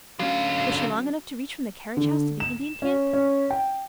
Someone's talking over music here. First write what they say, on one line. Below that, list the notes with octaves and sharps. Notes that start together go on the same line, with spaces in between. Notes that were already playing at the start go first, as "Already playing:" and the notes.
Was she long enough to reach from the carriage house to the Indian camp?
D3 F#3 C#4 F5
D3
E7
C#4
C#4
G5